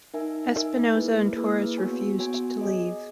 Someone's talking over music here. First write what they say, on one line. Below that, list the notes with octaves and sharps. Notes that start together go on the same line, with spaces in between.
Espinoza and Torres refused to leave.
D#4 A#4 E5 G#5
D#4 A#4 E5 G#5
A#3 E4 G#4 B4
A#3 E4 G#4 B4
B3 F#4 C#5 G#5
B3 F#4 C#5 G#5
G#4 D#5 G#5